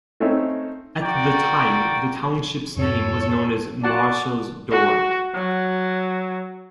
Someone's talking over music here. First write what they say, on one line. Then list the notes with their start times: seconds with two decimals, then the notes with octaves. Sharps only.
At the time, the townships name was known as Marshall's Dorp.
0.20 A3 C4 C#4 D#4 C#5 E5
1.02 F#4 A#4 D5 G5
2.77 F2 G#2 A4 C#5
3.84 F#4 D5 F#5 A5
4.71 F#4
5.35 F#3